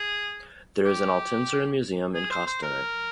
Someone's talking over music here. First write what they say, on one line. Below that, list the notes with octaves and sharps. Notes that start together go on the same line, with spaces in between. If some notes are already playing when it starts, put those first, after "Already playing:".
There is an Altynsarin museum in Kostanay.
Already playing: G#4
G4
G#4
C5
C5
A#4